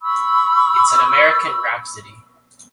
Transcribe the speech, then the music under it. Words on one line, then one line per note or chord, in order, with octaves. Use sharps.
It's an American rhapsody.
B5 C#6 E6